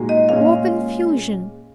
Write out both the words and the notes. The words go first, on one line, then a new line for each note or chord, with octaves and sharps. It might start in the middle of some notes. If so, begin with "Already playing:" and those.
More confusion.
Already playing: A#2 G#3 D#4 F#4
D#5
A#2 G#3 C#4 F5